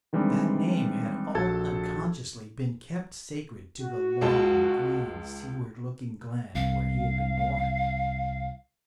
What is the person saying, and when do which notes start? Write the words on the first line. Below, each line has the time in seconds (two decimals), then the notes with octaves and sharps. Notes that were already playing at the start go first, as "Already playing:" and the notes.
That name had all unconsciously been kept sacred to the long, green, seaward-looking glen where he had been born.
0.13 D#3 E3 G3 G#3 C4 D4
1.35 A#1 F#4 A4 A5 G#6
3.79 F#4
4.21 C#2 G#3 A5
6.55 C2 F5